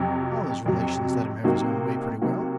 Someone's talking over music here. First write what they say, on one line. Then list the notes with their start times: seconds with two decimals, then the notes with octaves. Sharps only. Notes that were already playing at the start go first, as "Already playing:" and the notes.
All his relations let him have his own way pretty well.
Already playing: F2 C3 F#3
0.66 F2 C3 F#3
1.44 C3 F#3 A#3 D#4 F#4
2.22 C3 F#3 A#3 D#4 F#4